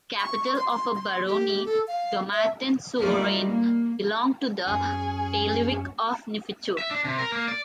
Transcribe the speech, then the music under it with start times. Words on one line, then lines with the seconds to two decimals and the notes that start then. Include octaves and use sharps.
Capital of a barony, Dommartin-sur-Vraine belonged to the bailiwick of Neufchâteau.
0.19 C#6
0.56 C6
0.70 C6
0.95 C6
1.27 G4
1.65 A4
1.88 F5
2.32 E5
3.01 G3 A3 D#4 F4 A#4 D5
3.47 A#3
4.67 F#2 C#4 G#4
6.78 E5
6.91 D4
7.05 C3
7.19 A#4
7.32 A#3
7.48 D5